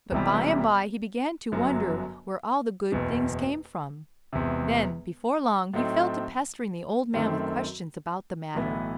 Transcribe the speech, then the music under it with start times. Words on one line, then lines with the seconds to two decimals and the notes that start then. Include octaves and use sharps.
But by-and-by he began to wonder where all the good things came from. Then, before long, he fell to pestering the old man with questions about the matter.
0.11 E1 E2 C3 E3 G3
1.52 G1 F#2 F#3
2.92 F#1 E2 B2
4.33 E1 E2 C3
5.74 A2 F#3 A3 C4 D#4
7.14 F#2 D#3 A3 C4
8.55 B1 A2 E3 B3